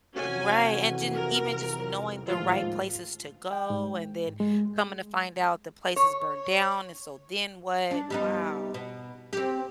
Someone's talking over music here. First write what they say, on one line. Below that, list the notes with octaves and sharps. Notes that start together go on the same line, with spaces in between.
right, and didn't even just knowing the right places to go and then coming to find out the place is burned down, and so, then what? Wow.
F2 C3 E3 C#4 F#4 G#5
A#4
A1 D#2 G#2 F3 F4
G5
G#2
G#3
C#5
D4
G3 B3 D#4
B2
C4 G4